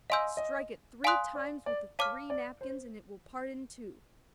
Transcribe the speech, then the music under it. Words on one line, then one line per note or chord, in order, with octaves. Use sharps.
Strike it three times with the three napkins and it will part in two.
D#5 F5 G#5 C6 E6 G6
D#5
D5 F5 G#5 C6 D#6 F#6
D5
D5
C#5 F5 A5 D6 F6
D5
C5